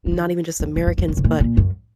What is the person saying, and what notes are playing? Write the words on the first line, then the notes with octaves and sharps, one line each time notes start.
not even just Americans, but
F3
D#3
F2
F#2
F#2
F2
F#2
C3
A#2
A#2
F#2